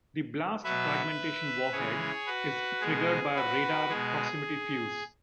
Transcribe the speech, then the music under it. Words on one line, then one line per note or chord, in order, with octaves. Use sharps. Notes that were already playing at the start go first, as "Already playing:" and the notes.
The blast-fragmentation warhead is triggered by a radar proximity fuze.
B2 F#3 B4 E5
C#3 E3 G#3 G#4 C#5
F#4 B4
B2 G#3 G#4
F#4 B4
B2 G#3 G#4